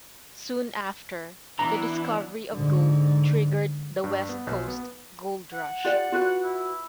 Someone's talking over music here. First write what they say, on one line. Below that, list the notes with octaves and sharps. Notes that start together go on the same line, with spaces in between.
Soon after, the discovery of gold triggered the West Coast Gold Rush.
E3 B3 D4 E4 A#5
G#2 D3
G2
B3
B1
B3
F#5
F4 G4 D5 F#5
F4 F#4 B4
E4